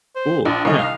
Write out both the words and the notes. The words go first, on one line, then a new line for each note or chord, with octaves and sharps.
Cool, yeah.
C5
A#1 D4
C2 D#3 C#4 D#5
F5